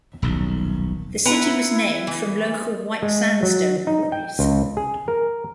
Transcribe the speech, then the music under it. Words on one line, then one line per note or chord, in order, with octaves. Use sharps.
The city was named from local white sandstone quarries.
D#1 B1
B3 E4 B4 F#5 A#5
E3
G#3
F#3
D#4
G5
C#2
G#4
A#4